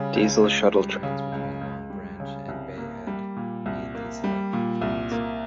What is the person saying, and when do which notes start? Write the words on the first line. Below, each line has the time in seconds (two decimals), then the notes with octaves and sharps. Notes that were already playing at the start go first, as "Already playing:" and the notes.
Diesel shuttle trains between Long Branch and Bay Head meet these electric trains.
Already playing: C#3 G3
0.16 C#2
0.44 C#2
0.74 G3
1.03 C#3
1.32 C#2
1.61 C#2
1.90 G3
2.20 C#3
2.48 C2
2.78 A#3
3.07 G3
3.36 A#2
3.66 C2
3.95 A#3
4.24 G3
4.53 A#2
4.82 C2
5.12 A#3